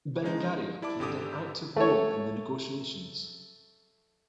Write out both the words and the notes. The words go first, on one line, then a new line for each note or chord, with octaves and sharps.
Berengaria played an active role in the negotiations.
F3 G#3 C#4 D#4
E4 D5 A5 D6
G#1 D3 G4 A4 D6 D#6
A3 C#5